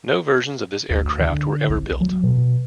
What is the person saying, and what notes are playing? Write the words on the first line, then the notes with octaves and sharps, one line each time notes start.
No versions of this aircraft were ever built.
D2
D3
C2
F#3
B2